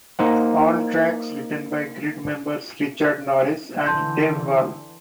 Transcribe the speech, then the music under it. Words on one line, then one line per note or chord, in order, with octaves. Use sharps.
All tracks written by Grid members Richard Norris and Dave Ball.
A#3 D#4 C5 F#5
D3 E3 A5 C6 G6